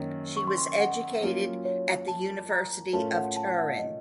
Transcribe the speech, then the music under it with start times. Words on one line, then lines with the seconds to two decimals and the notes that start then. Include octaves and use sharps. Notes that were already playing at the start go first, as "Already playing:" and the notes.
She was educated at the University of Turin.
Already playing: F#2 D#3 A#3 C#4
0.37 C#6
0.48 C6
0.58 C6
0.80 F#5
1.22 F#3 A#3 C#4 F4
1.65 C#5
2.08 A5
2.51 A#5
2.93 A2 A3 C#4 F4 A#4 A5
3.15 F#5
3.37 A5
3.47 A5
3.57 F#5
3.68 F5
3.79 D#5